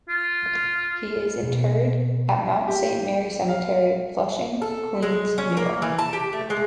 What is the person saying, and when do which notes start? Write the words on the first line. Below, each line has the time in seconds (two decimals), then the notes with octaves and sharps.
He is interred at Mount Saint Mary Cemetery, Flushing, Queens, New York.
0.09 F4
1.43 B2
2.68 G4
3.48 F5
4.62 A4
5.02 G#3
5.38 C#4
5.57 A#3
5.82 E3
5.99 A5
6.13 G4
6.33 A3
6.50 G#3